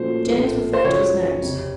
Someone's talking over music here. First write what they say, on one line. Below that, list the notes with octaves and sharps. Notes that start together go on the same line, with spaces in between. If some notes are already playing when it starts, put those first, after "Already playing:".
Jennings referred to his notes.
Already playing: A#2 F3 A3 C#4 F#4 C5
A#1 A2 F3 A3
C5
F#2 C#3 F3 C#5
F#1 F2 C3